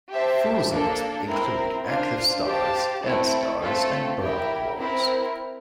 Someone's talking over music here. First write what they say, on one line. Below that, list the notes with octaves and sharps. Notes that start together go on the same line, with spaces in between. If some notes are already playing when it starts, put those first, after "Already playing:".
Fusors would include active stars, dead stars, and brown dwarfs.
G4 C5 E5 A5
A#3 D4 A4
C4 E4 A#4
D4 F4 C5 F5
G4 C5 F5 A5
A3 C4 E4 A4
A3 C4 F4 A4
E4 G4 A#4
C4 E4 A#4